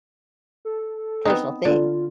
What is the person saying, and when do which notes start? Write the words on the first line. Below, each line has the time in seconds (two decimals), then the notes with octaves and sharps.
Personal thing.
0.65 A4
1.25 B3 C4 D#4
1.65 D3 F4